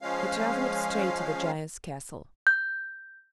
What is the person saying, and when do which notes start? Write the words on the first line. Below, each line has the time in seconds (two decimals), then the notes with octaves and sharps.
He traveled straight to the giant's castle.
0.02 F3 G#3 C#4 F5
2.47 G6